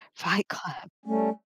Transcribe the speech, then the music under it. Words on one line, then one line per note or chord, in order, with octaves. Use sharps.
Fight Club.
G3 A3 C#4